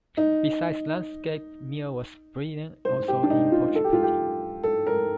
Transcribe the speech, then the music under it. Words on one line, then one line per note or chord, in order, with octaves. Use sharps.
Besides landscapes Mio was brilliant also in portrait painting.
D#4
C5
G4
D4
D#4
F4
A4
G4
F4
G4
A4
A#4